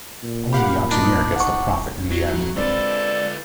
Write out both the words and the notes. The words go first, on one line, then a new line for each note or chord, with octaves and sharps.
Only the auctioneer gets to profit in the end.
A#2
G4 F5 F#5 B5
D4 D#4
F#5 C#6
F#3
F2
G#3 C4 D4 F4 A4 B4 D5